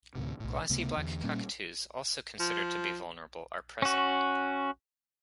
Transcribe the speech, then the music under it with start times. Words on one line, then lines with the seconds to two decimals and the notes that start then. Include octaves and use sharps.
Glossy black cockatoos, also considered to be vulnerable, are present.
0.15 D2 A2 C3
0.40 B1 A2
0.70 C#2 C3 A3 B3
0.97 E2 D3
1.23 A#2 G3 A#3 C#4
2.40 F3
3.82 C#4 F#4